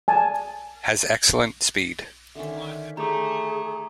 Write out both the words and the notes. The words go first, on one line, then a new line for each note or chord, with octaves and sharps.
Has excellent speed.
G#5 A5
D3 D#3 C#4 E5
A3 G4 G#4 A#5 D6